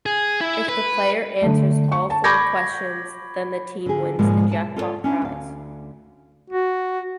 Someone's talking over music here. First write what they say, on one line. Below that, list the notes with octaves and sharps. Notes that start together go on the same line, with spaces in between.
If the player answers all four questions, then the team wins the jackpot prize.
G#4
E4
B4
D3 A3
C#6
A5
B5 C#6 D6 G6 G#6 A#6
D3 G#4
G#2 B2 D3 F3 G#3 A#3
A5
F4 A4 A#4 C#5 D5
C#4 D4 E4
D2 F5
F#4